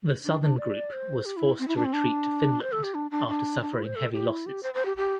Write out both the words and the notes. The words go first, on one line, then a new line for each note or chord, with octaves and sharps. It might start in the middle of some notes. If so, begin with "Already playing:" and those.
The southern group was forced to retreat to Finland after suffering heavy losses.
D4
D4
D5
C5
G4
E4
C4
E4
D4
C4
D4
C5
A4
G4
D4
D4
D4
D4
E4
C5
A4
G4
E4
G4
C5
C5
G4
G4